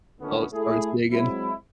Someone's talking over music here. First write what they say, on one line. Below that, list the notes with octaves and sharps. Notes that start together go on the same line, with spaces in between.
Oh, starts digging.
A#2 D3 D#3 A3 B3 C#4
A3 E4 G#4
F#3 G#3 C4 E4